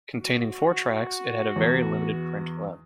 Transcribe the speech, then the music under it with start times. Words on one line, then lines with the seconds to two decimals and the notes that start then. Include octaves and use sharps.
Containing four tracks, it had a very limited print run.
0.19 F#4
1.56 E2